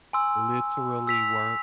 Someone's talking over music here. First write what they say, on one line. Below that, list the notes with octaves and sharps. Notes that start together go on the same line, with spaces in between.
literally work
G#5 C6 E6
E6 B6 F7